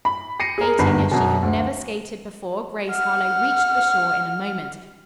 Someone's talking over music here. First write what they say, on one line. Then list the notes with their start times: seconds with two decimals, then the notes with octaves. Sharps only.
Skating as she had never skated before, Grace Harlowe reached the shore in a moment.
0.05 B5
0.40 A#6 C7 C#7 D#7
0.58 G#4 A#4
0.79 G1 D#2 D3 B5 C7
1.12 F#2 B2
1.43 D2
2.90 F#5 F6